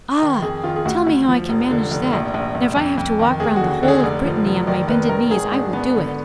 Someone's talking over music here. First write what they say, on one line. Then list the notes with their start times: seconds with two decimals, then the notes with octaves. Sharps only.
'Ah! tell me how I can manage that, and if I have to walk round the whole of Brittany on my bended knees I will do it!'
0.22 D#3
0.42 F2 G#4
0.63 D#3 F4
0.76 G#4
0.86 D2 F#4
1.07 D2
1.28 F3
1.49 F1
1.71 D3
1.91 F1
2.13 A#1
2.34 A#1
2.55 A#1
2.76 F2
2.98 F2
3.19 D#3
3.40 D#2 G#4
3.56 F#4
3.61 D3
3.72 F#4
3.83 D3
3.88 G#4
4.03 F1 D5
4.25 F3
4.46 F1
4.67 D#3 D5
4.88 D#3 B4
5.09 D#3 A#4
5.31 G#1 G#4
5.52 G#1 D4
5.73 G#1 B3
5.95 D3